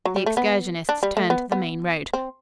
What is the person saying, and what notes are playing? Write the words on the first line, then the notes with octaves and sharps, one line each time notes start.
The excursionists turned to the main road.
F#3
G3
A3
B3
D4
G3
A3
B3
B3
C4